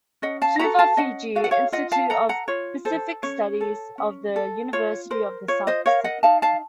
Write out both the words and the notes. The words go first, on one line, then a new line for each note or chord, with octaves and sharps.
Suva, Fiji: Institute of Pacific Studies of the University of the South Pacific.
C#4 D#5 F#5
F5 A5
F#4 A4 F#5 A#5
F5 A5
C#4 D#5 F#5
F#4 A4 F5
F#5
C#5 F5
F4 D#5 F#5
F5 A5
A4 F#5 A#5
F#5 A#5
F4 C#5
A4 C5
C#4 C#5
A4
C#4
A4
F4 C#5
A#4 C5
F4 C#5
C5 D#5
A#4 C#5 F5
D#5 F#5
D#4 F5 A5
F5 A5